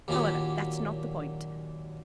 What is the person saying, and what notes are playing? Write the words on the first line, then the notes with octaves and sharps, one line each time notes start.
However, that's not the point.
D#2 A#2 F#3 G4